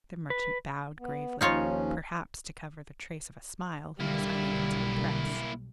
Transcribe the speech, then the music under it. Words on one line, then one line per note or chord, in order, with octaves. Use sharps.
The merchant bowed gravely, perhaps to cover the trace of a smile he was unable to repress.
B4
B3
D#2 F3 C#4 D#4 F4 C#5
B1 D3 G3 A#3 E4